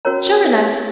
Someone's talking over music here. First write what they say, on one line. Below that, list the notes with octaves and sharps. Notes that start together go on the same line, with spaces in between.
Sure enough.
C#4 F#4 A#4 C#5 A#5